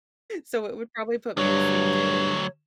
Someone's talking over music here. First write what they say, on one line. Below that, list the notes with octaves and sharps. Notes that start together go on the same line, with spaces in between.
So, it would probably put me to sleep too.
D2 G2 F#3 C#5